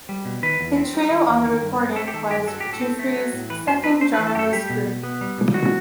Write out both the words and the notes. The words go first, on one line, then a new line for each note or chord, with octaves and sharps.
The trio on the recording was Giuffre's second drummerless group.
G3
B2
D#3 B4
E2
C4
G3
D#3
E2
D#3
G2
C4
A3 A4
G4
D#3 A4
G2 G4
F#3 A4
A2 G4
A4
C4
A3
F#3
A2
E3 B4
F#2 C5
C4 B4
A3 C5
B4
E3
A4
F#2 G4 A4
G3 G4
B2
B2
B3
G3
B2
D#3 F#4